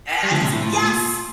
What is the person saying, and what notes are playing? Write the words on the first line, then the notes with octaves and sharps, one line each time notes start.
Yes, yes,
G3
D3 F3 A3
A2 C3 A3
A2 A3
A2 F4
A2
A#2